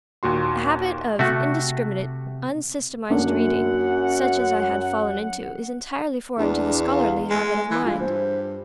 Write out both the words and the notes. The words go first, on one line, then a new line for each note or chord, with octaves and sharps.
A habit of indiscriminate, unsystematized reading, such as I had fallen into, is entirely foreign to the scholarly habit of mind.
D#2 A#2 F#4 C6
C3 A3 F#4
F#2 A#3 C#4 D4 F#5
E2 D4
F5
G#3 G#5
E3
G2 F4
C5